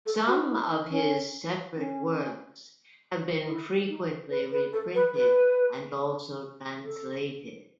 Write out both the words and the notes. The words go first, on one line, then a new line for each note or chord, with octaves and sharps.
Some of his separate works have been frequently reprinted and also translated.
A4
F#4
E4
D#4
C#4
C#4
E4
D#4
B4
B4
A4
B4
B4
A4